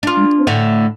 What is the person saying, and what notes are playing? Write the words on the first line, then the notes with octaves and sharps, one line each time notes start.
You do it.
D4 F4
A2 D3 A3